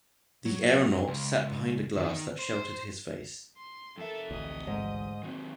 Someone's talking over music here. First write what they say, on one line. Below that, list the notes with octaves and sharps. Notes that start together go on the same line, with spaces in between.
The aeronaut sat behind a glass that sheltered his face.
F#3
C#2
D#3
C5
C6
F2 A4 A#4 E5
A1 D2 D#5
G#2
D#3 F#3 C4